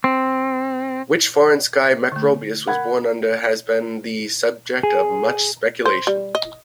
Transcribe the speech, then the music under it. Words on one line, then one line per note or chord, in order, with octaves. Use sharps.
Which "foreign sky" Macrobius was born under has been the subject of much speculation.
C4
D3 A3
A#4 F#5 B5 G#6
G#4
C5
G3
D#5